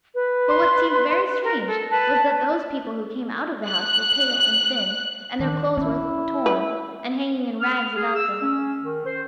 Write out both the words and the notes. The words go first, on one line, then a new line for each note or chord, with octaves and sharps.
But what seemed very strange was that those people who came out of the house were pale and thin, and their clothes were torn, and hanging in rags about them.
B4
C6
A#4
A4
B4 A5
F#6
D#3 D4
C#4 E4
B4
F6
G#4
E6
C#4
D#3
C5